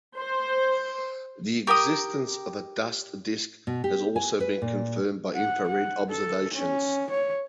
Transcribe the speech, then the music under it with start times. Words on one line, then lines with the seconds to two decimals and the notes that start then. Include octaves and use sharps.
The existence of a dust disk has also been confirmed by infrared observations.
0.16 C5
1.67 G4 A#4 G5 D#6
3.67 B2
3.84 G4
4.16 G#5
4.40 B4
4.62 A#2
5.35 F#5
5.67 F#5
6.10 A4
6.55 C#4
7.10 C#5